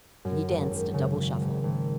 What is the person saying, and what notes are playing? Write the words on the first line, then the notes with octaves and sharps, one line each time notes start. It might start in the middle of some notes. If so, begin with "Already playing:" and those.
And he danced a double shuffle.
F#2
G#1
F#2
C#3
C#3
G#1
G#1